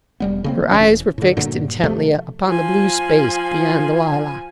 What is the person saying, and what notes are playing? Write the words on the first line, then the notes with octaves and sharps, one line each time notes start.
Her eyes were fixed intently upon the blue space beyond the lilac.
E1 G3 B3
C#3 A#3 C4
E1 F2 E3 C#4
A2 D3
G2 A#2 D3 F#3
C3 F3 A3
F3 G#5